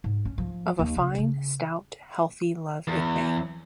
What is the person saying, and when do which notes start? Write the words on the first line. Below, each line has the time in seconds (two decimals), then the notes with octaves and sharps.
Of a fine, stout, healthy love it may.
0.04 G#2
0.25 C#4
0.38 F3
0.79 D#2
0.97 C#3
1.18 C#3
2.88 E2